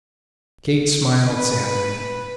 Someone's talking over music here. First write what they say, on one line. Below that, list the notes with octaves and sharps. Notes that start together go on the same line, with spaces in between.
Kate smiled sadly.
B4